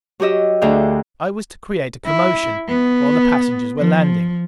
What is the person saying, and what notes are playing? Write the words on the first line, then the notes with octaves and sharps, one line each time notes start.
I was to create a commotion while the passengers were landing.
F#3 F#4 G4 D#5 E6
D2 D3 G#4 F5 G5
E4
B3
F3